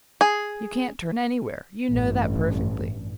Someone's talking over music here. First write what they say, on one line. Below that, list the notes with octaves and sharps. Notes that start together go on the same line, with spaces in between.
You can't turn anywhere; you know that perfectly.
G#4
A1 G2